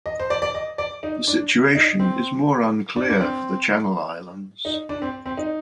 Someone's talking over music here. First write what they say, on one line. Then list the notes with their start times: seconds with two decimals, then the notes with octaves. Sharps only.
The situation is more unclear for the Channel Islands.
0.06 D#5
0.20 C5
0.30 D5
0.42 D5
0.55 D#5
0.78 D5
1.03 D#4
1.27 D4
1.75 D#4
1.99 C4
2.96 D4
3.10 D4
3.21 C4
4.65 D#4
4.89 D4
5.02 C4
5.26 C4
5.37 D#4